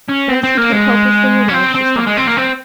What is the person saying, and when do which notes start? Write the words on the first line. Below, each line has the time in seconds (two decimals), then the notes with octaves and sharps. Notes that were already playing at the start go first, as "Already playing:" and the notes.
But as he turned hopelessly away, she stopped him.
0.09 C#4
0.29 C4
0.43 C4
0.57 A#3
0.72 G#3
1.49 C#4
1.54 C4
1.75 C4
1.96 A#3
2.07 G#3
2.17 C4
2.27 A#3
2.37 C4